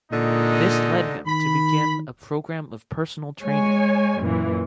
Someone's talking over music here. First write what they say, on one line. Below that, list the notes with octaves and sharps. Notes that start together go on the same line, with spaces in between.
This led him to begin a program of personal training.
A#2 D3 G#3 D#4
D#3 B5
G#3 C#5 G#5
F#2 A#2 E3